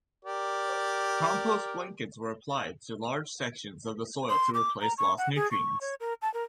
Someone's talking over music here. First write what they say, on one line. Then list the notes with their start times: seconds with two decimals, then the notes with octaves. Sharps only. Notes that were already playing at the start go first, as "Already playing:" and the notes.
Compost blankets were applied to large sections of the soil to replace lost nutrients.
0.25 G4 A#4 D5
4.30 C6
4.54 D6
4.81 A#5
4.98 C#6
5.18 F#5
5.36 G#4
5.51 C#6
5.81 C#5
6.00 A#4
6.22 A5
6.34 A#4